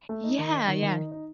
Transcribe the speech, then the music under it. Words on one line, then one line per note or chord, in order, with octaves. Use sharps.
Yeah, yeah.
A3
D#4
D#3
D#4
D#3
D#3
D#4
D#4